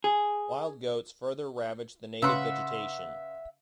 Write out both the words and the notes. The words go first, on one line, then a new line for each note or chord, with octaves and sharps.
Wild goats further ravaged the native vegetation.
G#4
C#3 B4 E5 F#5 C6